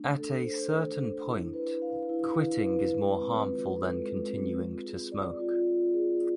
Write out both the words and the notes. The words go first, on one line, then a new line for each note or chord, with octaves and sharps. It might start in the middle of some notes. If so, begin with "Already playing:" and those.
At a certain point, quitting is more harmful than continuing to smoke.
Already playing: A3 D4
A4
C5
A3
D4
E4
B4
F5
E4
E4
B4
G#3
C4
F4
A4
G#3
C4
F4
G#4
D5
F4
F4
G#4